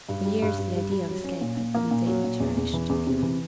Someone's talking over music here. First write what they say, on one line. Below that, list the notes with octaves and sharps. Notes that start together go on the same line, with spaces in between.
For years the idea of escape had been daily cherished.
G2
G3
G2
G2
G3
G3
F#3
C#4
A#2
A#2
A#3
A#2
F#3
A#2
E2
E2
E3
E2
C3
E3